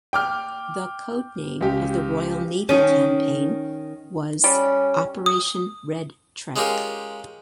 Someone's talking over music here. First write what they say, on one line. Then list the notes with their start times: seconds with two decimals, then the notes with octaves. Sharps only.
The codename of the Royal Navy campaign was "Operation Red Trek".
0.13 G5 D6 F6
1.61 C#2 G4
2.69 D#3 C#4
4.44 G3 C#4
5.26 D#6
6.56 G#3 C#4 F4 G4 A#4